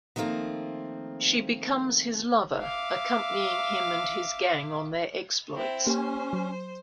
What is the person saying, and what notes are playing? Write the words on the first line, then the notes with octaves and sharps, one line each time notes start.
She becomes his lover, accompanying him and his gang on their exploits.
D#3 F3 A3 A#3 C4
E5 F5 D6
C4 E4
A#3 C#4 G4 C5
F#3